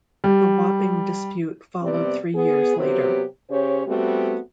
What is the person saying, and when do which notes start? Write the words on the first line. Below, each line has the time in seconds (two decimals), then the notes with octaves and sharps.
The Wapping dispute followed three years later.
0.24 G3
1.82 C3 G3 B3 C4 D5
2.34 B3 G#4
2.77 C3 F#3 B3 C4 G4
3.49 C#3 C#4 G4 C5 C#5
3.86 G3 A3 B3 C4 F#4